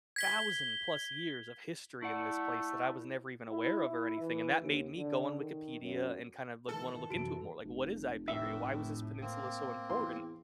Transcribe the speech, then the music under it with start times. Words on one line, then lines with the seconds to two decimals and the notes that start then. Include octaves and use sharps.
thousand plus years of history in this place that I was never even aware of or anything, and that made me go on Wikipedia and kind of look like, wanna look into it more, like, what is Iberia? Why was this peninsula so important?
0.16 G#6 B6 G7
2.02 A3 E4 D5 F#5
3.49 E4
3.88 E4
4.19 E3
4.61 D#2
4.96 D3
5.40 D#3
5.81 F#2
6.69 D#3 E3 A3 A4
7.10 F#2 C3 E3 F#4 D7
7.65 F1
8.28 A2 D#3 E3 E5
9.21 A#3 C4
9.90 E2 C6